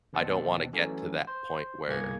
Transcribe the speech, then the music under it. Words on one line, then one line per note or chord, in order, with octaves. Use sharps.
I don't wanna get to that point where"
D#2 B2 C4 F#5 A5
E3 F#3 A3 C#4
C5
G1 C2 A#3 G#4 C#6 G#6